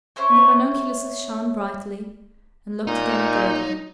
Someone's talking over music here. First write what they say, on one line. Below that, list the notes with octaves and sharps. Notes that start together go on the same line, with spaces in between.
And the Ranunculus shone brightly, and looked again at Gerda.
C#4 E4 C5 C#5
A#2 D#4